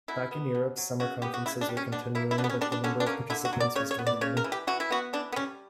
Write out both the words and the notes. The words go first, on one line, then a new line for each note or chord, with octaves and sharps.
Back in Europe, summer conferences were continuing but the number of participants was dwindling.
B2 E4
B3
B2
F#3
C#3 F#4
B3 G4
F#4
C#3 E4
D4
G3
C#4
B2 D4
A#3 E4
E4
B2 D4
B3
C#4
G3 D4
D4
D3 C#4
D4
A#3 C#4
D3 E4
F#4
F#3
D5
C#3 C#5
C#5
B3
D5
C#3 C#5
A#4
E3
G4
E3 F#4
E4
B3 F#4
E3 D4
B3
G3 C#4